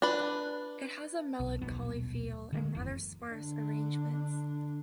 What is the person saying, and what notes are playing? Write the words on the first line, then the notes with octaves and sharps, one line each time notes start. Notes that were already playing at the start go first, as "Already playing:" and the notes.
It has a melancholy feel and rather sparse arrangements.
D4 B4
B1
D#1 B1 B2 B3
D3 D#3 G#3 A#3
F#1 E2
D3 D4